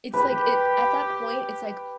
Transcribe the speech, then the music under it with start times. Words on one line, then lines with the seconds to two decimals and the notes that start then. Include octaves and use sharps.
it's like it At that point, it's like,
0.13 G4 B4